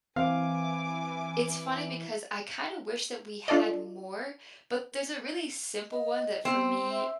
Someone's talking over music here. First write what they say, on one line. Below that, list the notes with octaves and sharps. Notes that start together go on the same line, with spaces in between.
it's funny because I kinda wish that we had more, but there's a really simple one that for me,
E3 C4 F5 G#5 D6
D4 F4 A4 D5 D#5
D#5
B3 C4
E5